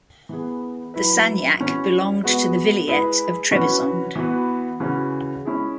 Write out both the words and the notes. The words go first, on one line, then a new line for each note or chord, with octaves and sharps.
The sanjak belonged to the vilayet of Trebizond.
E3 B3 G#4
F#3 E4 B4
E3 C#4 F#4
G#3 B3 F#4 B4
G#3 E4 G#4 B4
E3 C#4 F#4 B4
E3 B3 F#4 B4
C#3 E3 C#4 F#4
G#3 C#4 E4 G#4